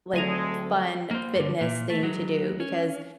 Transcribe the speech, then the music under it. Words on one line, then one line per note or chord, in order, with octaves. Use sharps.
like, f fun, fitness thing to do, because
D2 F#3 G#3 C4 A4 G#5 A#5
A#3 C5
G2 D3
A#2
A3
F#3 G#3
C#4